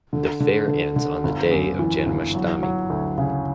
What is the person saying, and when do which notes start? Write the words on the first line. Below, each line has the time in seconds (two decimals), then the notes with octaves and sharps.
The fair ends on the day of Janmashthami.
0.13 D3
0.40 D3
0.68 D3
0.96 D3
1.24 G1
1.51 F#2
1.79 E3
2.06 G1
2.35 F#3
2.63 F#3
2.90 D2
3.18 C#3